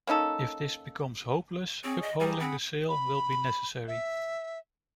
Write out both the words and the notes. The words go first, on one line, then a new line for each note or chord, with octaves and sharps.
If this becomes hopeless uphauling the sail will be necessary.
A#3 C#4 D#4 A4
C4 G#4 C#5
D#5
G3 G4 G#4 A#5
C4 G#4 F#5 B5
B5
E5